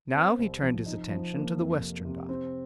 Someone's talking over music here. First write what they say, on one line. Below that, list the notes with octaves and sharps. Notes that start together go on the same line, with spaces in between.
Now he turned his attention to the western dial.
C4
C2
F3
D#4
F3
A#3
F2
C3
C3
C4